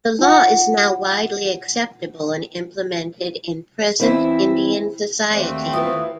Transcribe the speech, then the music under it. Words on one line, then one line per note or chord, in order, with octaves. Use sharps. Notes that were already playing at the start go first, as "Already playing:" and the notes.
The law is now widely acceptable, and implemented in present Indian society.
D#4 F4 F#5
E3 C4 E4
D#2 A3 A#3 C4 D4 F#4
B3 E4 F4 B4